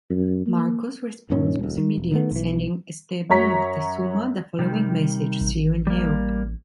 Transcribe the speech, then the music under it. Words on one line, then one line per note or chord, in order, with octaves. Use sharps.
Marcos response was immediate, sending Esteban Moctezuma the following message: "See you in hell".
F#2
A#3
G2 A#2 D#3 C#4
E1 D2
D#3
E1
D#3 A3 B3
B1 E3
F#2 F#4 C#5 A#5 B6
C3 D#3 G3
A1
G3 A#3